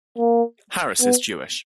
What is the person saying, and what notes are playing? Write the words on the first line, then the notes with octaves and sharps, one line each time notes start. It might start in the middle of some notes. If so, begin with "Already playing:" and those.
Harris is Jewish.
A#3
B3